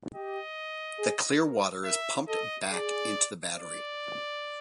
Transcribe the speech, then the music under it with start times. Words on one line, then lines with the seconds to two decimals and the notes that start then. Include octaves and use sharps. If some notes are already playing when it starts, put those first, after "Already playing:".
The clear water is pumped back into the battery.
0.14 G4 D#5
0.99 G#4
1.42 A#4
1.85 A#4 E5
2.28 A4 D#5
2.70 G#4 D5
3.57 D5